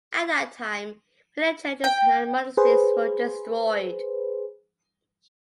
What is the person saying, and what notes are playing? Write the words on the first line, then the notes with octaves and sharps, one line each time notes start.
At that time many churches and monasteries were destroyed.
G5
G#4 B4 C5